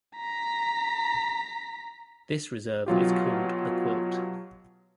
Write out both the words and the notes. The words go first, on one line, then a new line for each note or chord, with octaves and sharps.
This reserve is called the quilt.
A#5 B6
B2 F#3 F4 G4